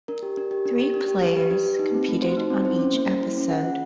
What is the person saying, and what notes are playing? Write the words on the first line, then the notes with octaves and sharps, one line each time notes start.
Three players competed on each episode.
D4 A#4
G4
D4
G4
D4
G4
D4
G4
D4
G4 B4
D4
G4
D#4
C4
A3
F#4 C5
D#4
C4
E4 C5
C#4
A#3
A#3
E4
C#4
G#4 F#5
F4